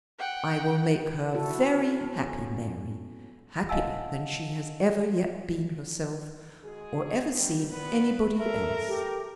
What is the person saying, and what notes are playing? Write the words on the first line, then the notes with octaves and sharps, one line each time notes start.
I will make her very happy, Mary; happier than she has ever yet been herself, or ever seen anybody else.
F#5 G5
E4 F#4 A4
B3 C#4
D#5 F5 F#5 G#5 A5 E6
G#3 F#4 G#4
D#3 F#3 G3
A#2 B3 B4
A4 A#4 E5
G4